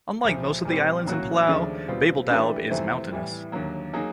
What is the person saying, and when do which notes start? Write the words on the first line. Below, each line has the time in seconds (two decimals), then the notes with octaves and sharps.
Unlike most of the islands of Palau, Babeldaob is mountainous.
0.24 C2 A#2 F3
0.65 A#2 G3 C4
1.06 A2 F#3 A#3 C#4 F#4
1.47 D#2 C#3 F3 A3 D4
1.88 B2 G3 C4 F4
2.30 E3 A3 D4 G4 B4
2.70 F2 C3 E3 A3 C4
3.12 A2 E3 G3
3.52 D#2 D3 F#3 A#3
3.93 F#3 A#3 D#4 G#4